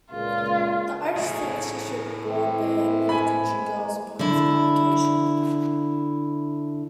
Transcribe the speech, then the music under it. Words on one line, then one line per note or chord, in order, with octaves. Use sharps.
The Irish censorship board banned "The Country Girls" upon its publication.
C#2 A#2 F4
A2 G#4 C#5 A5
E3 C4
G#5 B5
G#3
A#3
D3 E4